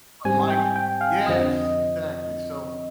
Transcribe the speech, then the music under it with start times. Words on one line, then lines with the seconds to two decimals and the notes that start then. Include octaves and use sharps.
l life Yes, exactly. So,
0.25 G#2 G3 C4 G#5
0.50 G5
0.76 G5
1.01 F5
1.26 F2 D3 F3 C4 D#5